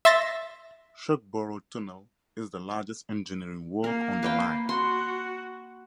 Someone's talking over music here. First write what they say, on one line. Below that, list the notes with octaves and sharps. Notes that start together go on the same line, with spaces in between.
Shugborough Tunnel is the largest engineering work on the line.
E5 C6 A6 A#6
A#3 A#4
B4 F5 G5
F#4 C6